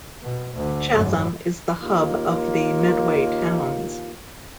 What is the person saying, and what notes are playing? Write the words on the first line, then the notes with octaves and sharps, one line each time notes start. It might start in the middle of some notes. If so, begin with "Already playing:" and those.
Chatham is the hub of the Medway Towns.
B2
D2 D3
G#1 F#2
D#2 A#3 F4